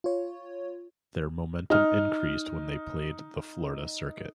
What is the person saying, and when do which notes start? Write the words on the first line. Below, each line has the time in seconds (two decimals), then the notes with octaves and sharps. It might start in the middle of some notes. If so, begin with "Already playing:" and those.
Their momentum increased when they played the Florida circuit.
0.04 F4 C#5
1.70 D#4 F6